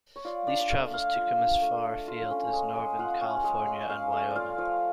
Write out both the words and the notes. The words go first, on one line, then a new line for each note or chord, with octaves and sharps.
These travels took him as far afield as Northern California and Wyoming.
C#5
F4 D5
D4 D5
D5
A3 F5
A3 F5
F4
D4
A3
A3
F4
C#4
G#3
G#3
F4 F#5
C#4
G#3
G#3
C#4 F5
A3
D5
F4 F5
F3